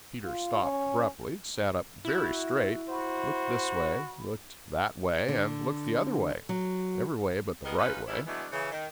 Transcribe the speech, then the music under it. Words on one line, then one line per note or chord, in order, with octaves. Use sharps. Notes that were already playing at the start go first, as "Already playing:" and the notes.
Peter stopped abruptly, sat up very straight, looked this way, looked that way and looked the other way, every way but the right way.
F4
C#4
E4 F#4
F#4 C5 B5
D3
F#3
G3 B3 G#4 A#4 B4 D#5
C#4 D#4 F4 B4
G#2 C#3 G3 D4 E4
E3 F#3 G#3 A3 B3 D4
C#3 E3
D#3